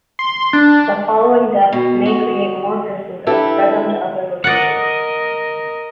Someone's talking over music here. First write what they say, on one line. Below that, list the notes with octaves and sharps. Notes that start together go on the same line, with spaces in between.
The following deaths may create more curses and spread them to other locations.
C6
D4
B2
F#4 D#5
D4 E4 G4 A4 B4
A#4 D5 D#5 F#5